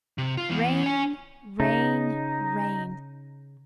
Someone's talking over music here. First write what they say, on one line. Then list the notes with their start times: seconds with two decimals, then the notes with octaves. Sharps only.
Rain, rain, rain!
0.18 C3
0.37 F4
0.50 E3 B3
0.83 C#5 G#5
1.60 C#3 D#4